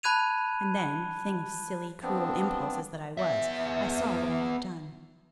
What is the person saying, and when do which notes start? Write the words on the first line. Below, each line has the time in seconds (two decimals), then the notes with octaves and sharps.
And then, thing of silly, cruel impulses that I was, I saw what I had done.
0.03 A5 B5 F#6 G#6 D#7 F7
2.03 F2 F3 B3 C4 D4
3.17 B3 E5